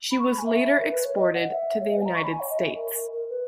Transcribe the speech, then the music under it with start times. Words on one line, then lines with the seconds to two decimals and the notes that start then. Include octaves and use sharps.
She was later exported to the United States.
0.11 B5
0.19 C#6
0.29 B5
0.38 G#5
0.46 E5
0.79 A#4
0.92 B4
1.05 C#5
1.17 D#5
1.34 F#5
1.52 E5
1.81 C#5
1.88 D#5
1.97 B4
2.01 G#5
2.06 A#5
2.15 C#6
2.24 B5
2.31 G#5
2.40 C#5
2.50 D#5
2.58 E5
2.76 A#4
2.94 A#4
3.12 A#4
3.30 B4